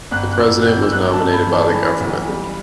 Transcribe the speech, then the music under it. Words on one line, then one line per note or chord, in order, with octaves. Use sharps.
The president was nominated by the government.
G1 F#6
F#6
G1 E6
F#6
G1 G6
E6
G1 F#6
A5
G1
B5
E3
A5
E3 B5
B1
G3